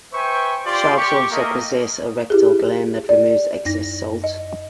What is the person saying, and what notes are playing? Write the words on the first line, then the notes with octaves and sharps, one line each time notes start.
Sharks also possess a rectal gland that removes excess salt.
B4 C5 E5 G5 G#5 C#6
F4 G4 D5 C6
G4 C#6
A3 A#3 A#4 D#5
E4 G4 G#4
D5
F#2 D#4 A#6
D#5